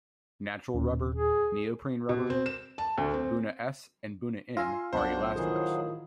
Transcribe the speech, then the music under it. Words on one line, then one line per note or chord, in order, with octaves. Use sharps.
Natural rubber, neoprene rubber, buna-s and buna-n are elastomers.
D#1 C#4
G#4
B2
C4
E7
A5
D2
C4
F4 F5 G#5 C6 E6 A#6
B1 D4 C5 F#5
A2 D#3 E3 F#3 G#4